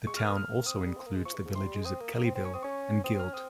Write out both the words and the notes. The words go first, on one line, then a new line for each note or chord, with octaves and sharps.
The town also includes the villages of Kelleyville and Guild.
G#3 C#6
A#3 F6
D#6
F6
A#3
C4 D#6
A#3
G3
C4
A#3
G#3
F3 C#6
G2
G#2
C3 C6
G3
G#3
C4 D#6
A#3
A#3
C4
C4
C#4 C#6
C4 D#6
C#4 C#6
C4 D#6
C4
C#4 F6
C4 D#6